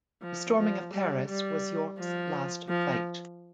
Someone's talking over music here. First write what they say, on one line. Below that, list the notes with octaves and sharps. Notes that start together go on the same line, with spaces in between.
The storming of Paris was Yorck's last fight.
F3
F3
G3
G3
F3
F3